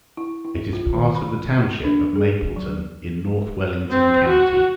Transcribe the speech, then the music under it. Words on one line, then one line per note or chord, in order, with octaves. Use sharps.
It is a part of the township of Mapleton in North Wellington County.
E4
E4
F4
D#3
B5
A#3
D4
G#4
F#3
C4
F#4